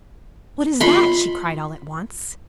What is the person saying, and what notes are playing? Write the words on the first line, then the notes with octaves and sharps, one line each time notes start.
"What is that?" she cried, all at once.
F4 D#5 B5 C6